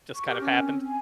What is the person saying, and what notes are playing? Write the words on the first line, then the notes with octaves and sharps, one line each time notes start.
just kind of happened?
C#6
G4 A#4
C#4
C4
G#5